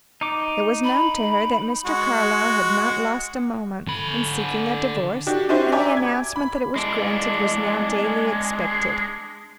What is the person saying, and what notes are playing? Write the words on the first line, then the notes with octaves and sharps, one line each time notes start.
It was known to her that Mr. Carlyle had not lost a moment in seeking a divorce and the announcement that it was granted was now daily expected.
D#4 D6
B5
G#3 F#4
D3 B5
D4 F#4 G4
C#4 D4 E4 F#4 G4 C5
D5 E5 G5 G#5 A#5 D6
G#6
B5
G#3 D4